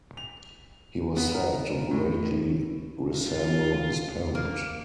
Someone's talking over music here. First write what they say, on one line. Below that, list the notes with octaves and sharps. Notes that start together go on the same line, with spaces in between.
He was said to greatly resemble his parent.
F7
B3
A#4
A2
F4
A#3